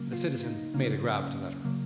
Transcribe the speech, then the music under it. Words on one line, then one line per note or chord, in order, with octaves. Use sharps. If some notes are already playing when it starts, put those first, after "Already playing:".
The citizen made a grab at the letter.
Already playing: C#3 F#3 A#3
F4
D#4
C#3 F#3 A#3 C#4
C#3 F#3 A#3